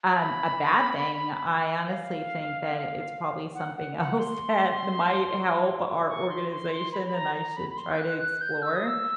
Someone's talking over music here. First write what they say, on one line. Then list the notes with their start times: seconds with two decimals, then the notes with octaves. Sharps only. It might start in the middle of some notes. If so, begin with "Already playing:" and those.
um, a bad thing. I honestly think that it's probably something else that might help our organization and I should try to explore.
0.16 B5
1.86 F5
3.54 F#5
3.77 F#5
3.97 F#5
4.18 C6
6.08 C#6
6.29 C6
6.51 C6
6.72 C6
6.93 B5
7.06 B5
7.14 A#5
7.35 A#5
7.56 B5
7.70 B5
7.77 C6
7.92 G6
7.99 F#6
8.19 F#6
8.41 G6
8.62 E6
8.76 D#6
8.87 E6